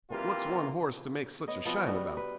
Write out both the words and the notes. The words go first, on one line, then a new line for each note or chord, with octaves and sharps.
But what's one horse to make such a shine about?'
C3 E3 G3 A#3 F4
B3 C#5 D#5
F3 B3 C4 F#4
G3 B3 F#4
B4